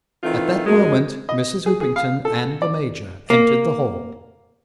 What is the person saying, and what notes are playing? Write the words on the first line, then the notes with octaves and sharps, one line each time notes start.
At that moment Mrs. Hoopington and the Major entered the hall.
D#3 E3 A3 C4 F4
F#2 G#3
D#5
G#4
G#4
F5
A4
D5
A#3